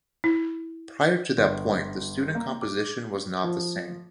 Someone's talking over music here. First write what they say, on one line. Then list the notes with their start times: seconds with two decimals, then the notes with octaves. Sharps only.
Prior to that point the student composition was not the same.
0.24 E4
1.38 G1
2.35 A#3
2.62 D6
3.44 F3